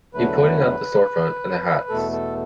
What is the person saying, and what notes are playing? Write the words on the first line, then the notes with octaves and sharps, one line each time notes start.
He pointed out the storefront and the hats.
E2 D3 F#3 A3 B4
E2 B2 A3 A4
A4